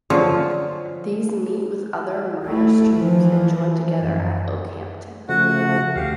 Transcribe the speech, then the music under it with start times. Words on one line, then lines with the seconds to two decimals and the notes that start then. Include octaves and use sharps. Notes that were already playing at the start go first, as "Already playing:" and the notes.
These meet with other minor streams and join together at Okehampton.
0.10 D3 F3 F#3 F4 G#4
2.45 A3 E4
2.96 E3 F3
4.00 F#2
5.29 C#3 F3 A3 F#4 F#5
5.96 D2 G4 F5